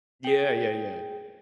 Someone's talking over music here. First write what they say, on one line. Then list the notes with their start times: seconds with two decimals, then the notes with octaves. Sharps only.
Yeah, yeah, yeah.
0.24 G#4 G5